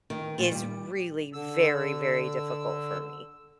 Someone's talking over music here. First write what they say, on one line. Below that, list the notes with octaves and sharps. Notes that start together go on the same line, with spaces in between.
is really, very, very difficult for me.
D#3
A#2
G3
D3 E6